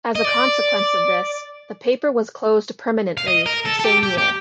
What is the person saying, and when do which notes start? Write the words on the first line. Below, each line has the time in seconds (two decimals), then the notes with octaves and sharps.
As a consequence of this, the paper was closed permanently the same year.
0.15 D#5
0.25 D5
3.18 F5
3.27 D#5
3.46 A#4
3.65 A4
3.79 A4
3.84 G4
4.03 G4
4.18 G4